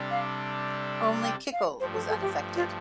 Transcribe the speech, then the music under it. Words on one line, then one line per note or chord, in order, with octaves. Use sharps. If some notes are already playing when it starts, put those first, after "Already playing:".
Only Kickle was unaffected.
Already playing: C3 G3 D4 A4
F5
G5
F5
G2 F3 A3 C5
A4
A4
G4
F4